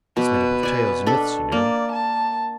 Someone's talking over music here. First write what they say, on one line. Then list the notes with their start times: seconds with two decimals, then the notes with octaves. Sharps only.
That's made up of tales, and myths, you know.
0.17 B2 B4 D6
0.63 D5 G#5
1.06 D4 A4 B5
1.52 A#3 D5
1.92 A5